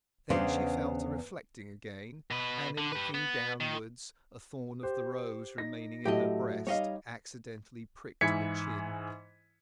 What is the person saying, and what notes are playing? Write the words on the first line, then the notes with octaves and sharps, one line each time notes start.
Then she fell to reflecting again, and in looking downwards a thorn of the rose remaining in her breast accidentally pricked her chin.
E2 C#3 B3 C#4 D4 C5
B2 B4
D3
G4 B4
B3
D#3
G4 C5
D#4 A#6
A2 F#3 G4 A4 D#5
G3 D#4 C#5 D#5 F5
G#2 E3 E4 G#6 B6 C#7